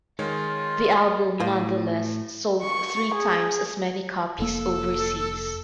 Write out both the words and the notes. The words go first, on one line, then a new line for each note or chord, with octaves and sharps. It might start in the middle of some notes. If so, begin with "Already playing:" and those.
The album nonetheless sold three times as many copies overseas.
D#3 G#3 F4 C#5
A2 F3 F4 C5
C#6
G#4
F1 A#3 A4